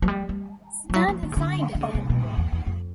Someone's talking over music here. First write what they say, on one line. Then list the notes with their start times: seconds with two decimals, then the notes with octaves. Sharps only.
Stand aside, then.
0.02 F#3
0.08 G3
0.29 G3
0.90 F3
0.94 F#3
1.08 F3
1.23 D#3
1.32 C#3
1.37 D3
1.75 D3
1.81 C#3
1.95 C3
2.10 B2
2.23 A2
2.38 E2
2.52 E2
2.66 F2